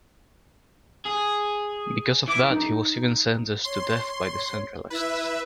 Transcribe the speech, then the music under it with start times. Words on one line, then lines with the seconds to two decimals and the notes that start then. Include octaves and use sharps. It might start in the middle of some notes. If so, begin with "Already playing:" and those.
Because of that he was even sentenced to death by the "Centralists".
1.06 G#4
2.28 E3 D6
2.50 D#4
3.64 C#5 C6
4.90 E4 B4 E5